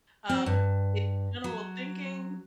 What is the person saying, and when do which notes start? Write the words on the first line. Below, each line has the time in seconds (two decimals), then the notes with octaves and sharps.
um, in general thinking,
0.29 C4
0.46 G2
1.44 F#3